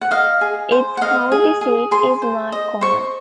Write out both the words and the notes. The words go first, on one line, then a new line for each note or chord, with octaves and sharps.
Its county seat is Macon.
F#5
D#5 F5
G#4
C5
F#5
D#5 F5
G#4
G#4
G#4 C6
C5
D#5
C5 C#6